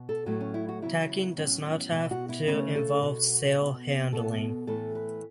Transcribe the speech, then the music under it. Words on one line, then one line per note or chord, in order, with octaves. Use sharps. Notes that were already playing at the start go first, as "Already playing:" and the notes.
Tacking does not have to involve sail handling.
Already playing: B2 B3
A4
A2 F#3 A3 F#4
C#4
E4
F#4
C#3 F#3 B3 E4
A2 F#3 B3 C#4
B2 B3 E4
F#4
E4
C#3 A3 C#4
A4
B2 B3 F#4
B2 B3
B2 B3 A4
A2 E3 A3 A4
B4